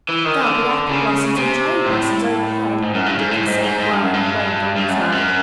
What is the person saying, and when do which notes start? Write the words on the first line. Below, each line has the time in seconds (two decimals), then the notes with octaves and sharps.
"There'll be apple blossoms an' cherry blossoms overhead," Dickon said, working away with all his might.
0.09 E3
0.25 D#3
0.40 D3
0.89 C#3
1.37 C3
1.86 A2
2.82 G#2
2.94 F#2
3.06 G2
3.18 G#2
3.31 A2
3.47 G#2
3.63 G#2
3.79 G#2
3.90 G2
4.02 F#2
4.13 G2
4.76 G2
4.88 F#2
4.99 F2
5.12 F#2